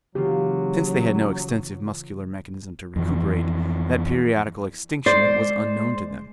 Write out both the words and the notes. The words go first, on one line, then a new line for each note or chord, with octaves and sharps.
Since they had no extensive muscular mechanism to recuperate, that periodical extinction was unknown to them.
F#1 C#3 E3 F#3 F4 G4
F2 E3
G#3 C5 D5